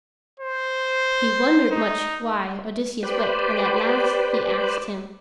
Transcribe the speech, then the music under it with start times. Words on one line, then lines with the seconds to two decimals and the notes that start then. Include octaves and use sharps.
He wondered much why Odysseus wept, and at last he asked him.
0.40 C5
1.71 D#4
3.03 G4 B4 C5 D5